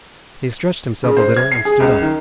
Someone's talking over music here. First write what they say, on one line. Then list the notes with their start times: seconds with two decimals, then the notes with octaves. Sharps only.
He stretched himself a little and stood up.
1.04 C#3
1.17 C5
1.37 G#6
1.52 C7
1.65 G#4
1.80 C#2
2.02 D#3